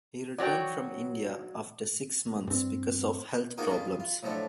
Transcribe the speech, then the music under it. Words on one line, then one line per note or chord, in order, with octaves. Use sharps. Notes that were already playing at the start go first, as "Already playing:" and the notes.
He returned from India after six months because of health problems.
F#3 F#4 C#5 D5 G5
G2 C4
A#3 D#4 F4 F#4 G#4 A#4
G3 G#3 F4
F4
A2 F3 F#3 A3 D4